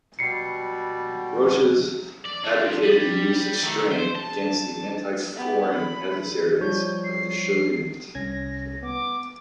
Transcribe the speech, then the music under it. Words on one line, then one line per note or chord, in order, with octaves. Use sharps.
Roches advocated the use of strength against the anti-foreign adversaries of the Shogunate.
B2 G3 C7 C#7
D5
D4 F4
G3
D#3 A3
C5
A5
B3 G4
B5
F3 G3 C#5 G6
C7
C2 C#4 G#6 A#6
B3 D6